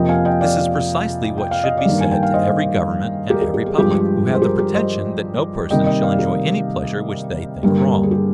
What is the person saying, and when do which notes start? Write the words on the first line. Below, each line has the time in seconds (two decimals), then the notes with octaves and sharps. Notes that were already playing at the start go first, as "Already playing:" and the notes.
This is precisely what should be said to every government and every public, who have the pretension that no person shall enjoy any pleasure which they think wrong.
Already playing: F2 C3 F3 A#3 D#5 G5
0.09 F5 G#5
0.25 D#5 G5
0.41 D5 F5
1.38 G5
1.51 F5
1.64 D#5
1.77 D5 F5
1.85 G2 D#3 A#3
2.00 G#5
2.12 G5
2.23 F5
2.34 C5 D#5
3.30 G4 A#4
3.42 G4
3.54 G4
3.66 G#4
3.78 G2 F3 G#3 G4
4.27 G#4
4.35 C5
4.42 G4 A#4
4.58 G4 A#4
4.74 C5 D#5
5.70 C3 D#3 G3 A#3 D#5 G5
5.86 D#5 G5
6.02 D5 F5
6.18 G4 A#4
7.63 G2 D3 G3 A#3
8.03 G#4
8.11 G4